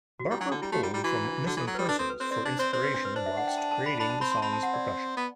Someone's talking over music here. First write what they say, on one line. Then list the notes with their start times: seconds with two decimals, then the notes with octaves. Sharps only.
Barker pulled from Missing Persons for inspiration whilst creating the song's percussion.
0.19 F#4
0.31 G3 E4
0.41 F#3 D4
0.51 D3 D4
0.62 G3 E4
0.72 A3 F#4
0.83 G3 E4
0.94 G3 E4
1.04 E3 F#4
1.15 E4
1.25 D4
1.36 E4
1.46 D3 F#4
1.57 E3 A4
1.67 F#3
1.75 G3 B4
1.89 D4 B4
1.99 C4 A4
2.10 B4
2.20 C4 C5
2.31 C4 D5
2.45 D4 D5
2.59 C4 C5
2.73 C4 C5
2.84 B4
2.94 D4
3.05 B4
3.16 D4 C5
3.26 E5
3.37 F#5
3.48 G5
3.58 A5
3.72 A5
3.86 B5
4.00 D4 B5
4.10 A5
4.21 C4 B5
4.32 C6
4.37 A5
4.42 C4 B5
4.53 A5
4.63 F#5
4.74 D5
5.17 B3